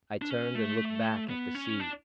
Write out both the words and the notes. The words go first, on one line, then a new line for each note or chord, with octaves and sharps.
I turned and looked back at the sea.
D4
C#4
A3
B3
C#4
D4